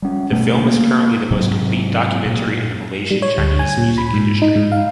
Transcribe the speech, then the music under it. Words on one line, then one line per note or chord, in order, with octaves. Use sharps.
The film is currently the most complete documentary in the Malaysian Chinese music industry.
G3 C#4
B2 A3 B3
A#3
G#2 C3 F#3
A#2
G3
C#5
D2
G#5
A#2
B5
G#2
D#4
G#2
F5